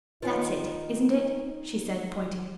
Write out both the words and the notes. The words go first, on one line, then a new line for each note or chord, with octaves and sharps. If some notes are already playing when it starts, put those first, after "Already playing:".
"That's it, isn't it?" she said, pointing.
D#3 D#4 F4 B4 C#5 G#5